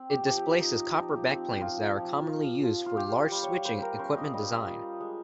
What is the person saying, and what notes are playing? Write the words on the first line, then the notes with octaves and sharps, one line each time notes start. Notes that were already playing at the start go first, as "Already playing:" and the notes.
It displaces copper backplanes that are commonly used for large switching equipment design.
Already playing: C4
G4
F3 G4
D#4
F3
C4
F3 F4
F3
F4
F4
F4
F4 G4
C5
G3
C#5
G3 C5
A#4
C#4 C5
D#5
G3 D#5
F4
G#3